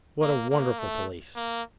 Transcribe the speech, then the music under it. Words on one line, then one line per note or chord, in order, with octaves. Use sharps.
What a wonderful Police!
A#3
A#3
A3
A#3